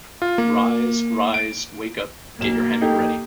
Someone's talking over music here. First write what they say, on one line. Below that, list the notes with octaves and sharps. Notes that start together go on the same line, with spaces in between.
"Rise, rise, wake up, get your hammock ready".
F4
A#3
D7
B1 A#3 E7
D#4 G4 A4